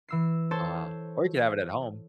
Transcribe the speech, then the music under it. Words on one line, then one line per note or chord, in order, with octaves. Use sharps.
Uh, or you could have it at home.
E3 E6 C7
A4 C5 C#5 A5 C6